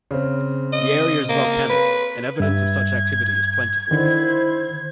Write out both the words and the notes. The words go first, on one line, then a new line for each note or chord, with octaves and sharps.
The area is volcanic, and evidence of such activity is plentiful.
C#3 C4
D#5
A#3
B4
G2 E5 G#6
D3 D#3 E4 C5